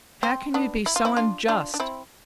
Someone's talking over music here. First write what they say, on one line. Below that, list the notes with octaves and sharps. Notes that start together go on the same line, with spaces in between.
How can you be so unjust?
C4
B3 D4
E4
F4
C4 E4
D4 F4
D4 F4
D4
C4 E4